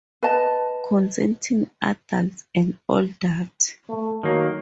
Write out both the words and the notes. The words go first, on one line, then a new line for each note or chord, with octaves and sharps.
Consenting adults and all that.
B4 D#5 A5
A3
D#3 F#3 A#3